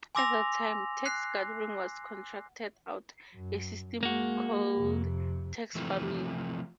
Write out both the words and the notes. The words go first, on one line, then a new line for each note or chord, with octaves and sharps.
At that time, tax-gathering was contracted out, a system called tax farming.
G#5 C6 D6 E6 A#6 F7
F#6 C7
F#2
G#3 A#3 F#4
F2 C3
C3 E3 F3 A3